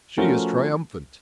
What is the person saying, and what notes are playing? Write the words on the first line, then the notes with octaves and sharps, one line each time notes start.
She is triumphant.
F3 A3 C#4 F#4 A#4